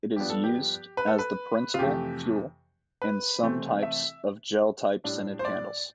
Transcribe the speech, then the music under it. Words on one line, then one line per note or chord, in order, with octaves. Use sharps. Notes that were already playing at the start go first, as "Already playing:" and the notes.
It is used as the principal fuel in some types of gel-type scented candles.
G2 F3 B3 D4 G4
A4
G4
B4
A4
B4
F4
F2 C3 E3 A3 G4
B4
C3 E3 A3 C4
E5
A2 G3 D4
C5
D5